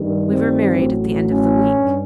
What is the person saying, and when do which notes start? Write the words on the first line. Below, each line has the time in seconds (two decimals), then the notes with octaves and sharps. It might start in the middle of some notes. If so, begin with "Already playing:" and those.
We were married at the end of the week.
Already playing: G2 D#3 G3
0.28 C4
0.77 A1 A2 F#3
1.26 C#4
1.76 G2